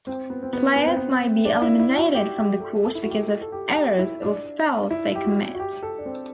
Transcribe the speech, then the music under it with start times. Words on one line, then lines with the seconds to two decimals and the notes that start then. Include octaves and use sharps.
Players may be eliminated from the court because of errors or fouls they commit.
0.07 C4
0.30 B3
0.43 C4
0.53 B3
0.76 B3
0.86 C4
0.97 B3
1.45 D4
1.62 E4
1.79 E4
1.97 F#4
2.14 G4
2.37 G4
2.60 A4
2.84 A4
2.95 E4
3.02 F#4
3.10 G4
3.18 A4
3.41 A4
3.52 G4
3.75 G4
3.99 E4
4.22 D4
4.91 E4
5.15 G4
5.25 F#4
5.55 F#4
5.60 G4
5.82 A4
5.98 D4
6.06 C4